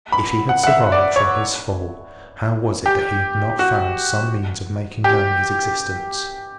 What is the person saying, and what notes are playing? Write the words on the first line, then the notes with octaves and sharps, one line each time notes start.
If he had survived from his fall, how was it that he had not found some means of making known his existence?
B5
F#5
F#5
E5
D5
C#5
G4
F#4
G4